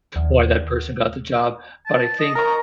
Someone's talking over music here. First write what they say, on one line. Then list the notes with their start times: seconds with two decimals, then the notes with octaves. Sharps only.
why that person got the job, but I think
0.16 D#2
1.86 A5
2.19 D#5
2.35 A#4 A#5 C#6